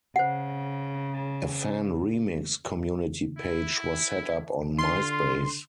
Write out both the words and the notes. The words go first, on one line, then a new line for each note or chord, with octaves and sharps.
A fan remix community page was set up on MySpace.
C#3 C5 F#5
E4
D3 F4 C6